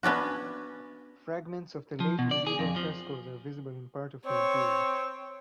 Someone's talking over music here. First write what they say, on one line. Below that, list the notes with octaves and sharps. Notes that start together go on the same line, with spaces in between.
Fragments of the late medieval frescoes are visible in part of the interior.
B3 C#4 D4 F#4
F3
B2
D5
G#4
F2
F3
C4 C#5